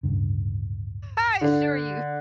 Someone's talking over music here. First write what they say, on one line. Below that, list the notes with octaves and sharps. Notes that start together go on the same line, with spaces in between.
I assure you.
D1 G2 C#3
D3